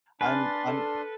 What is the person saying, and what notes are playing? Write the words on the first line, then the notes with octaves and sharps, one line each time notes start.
I'm I'm
D4 B4 G#5 C6 F6 A6
A4